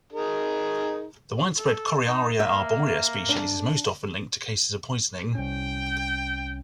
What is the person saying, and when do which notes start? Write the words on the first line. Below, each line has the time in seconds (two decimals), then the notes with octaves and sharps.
The widespread "Coriaria arborea" species is most often linked to cases of poisoning.
0.13 D#4 G#4 A#4
1.58 A4
2.07 D#4
2.40 A#3 E5
3.29 D4
5.35 C2 C#4 G5